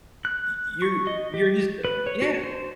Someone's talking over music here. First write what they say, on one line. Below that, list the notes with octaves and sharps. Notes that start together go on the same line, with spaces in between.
y y you're you're just a yeah.
F#6
C#6
D#5
G4
B4
C#5
F#4
C5